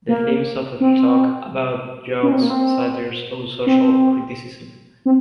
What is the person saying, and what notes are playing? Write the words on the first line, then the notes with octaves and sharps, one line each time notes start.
The themes often talk about jokes, satires or social criticism.
A#3
C4
C#4
C4
A#3
C4
C4
C4